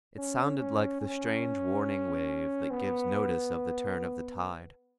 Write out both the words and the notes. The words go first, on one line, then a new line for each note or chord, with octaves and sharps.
It sounded like the strange warning wave that gives notice of the turn of the tide.
C#4
C#4
C#4
B3